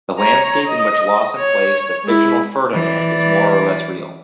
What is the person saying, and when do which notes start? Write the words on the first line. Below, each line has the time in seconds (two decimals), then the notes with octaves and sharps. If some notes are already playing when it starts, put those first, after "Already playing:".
The landscape in which Lawson placed the fictional Ferdinand is more or less real.
0.19 C#5 A#5
0.68 D#5
1.38 C#5
2.04 G#3 E4
2.73 E3 D5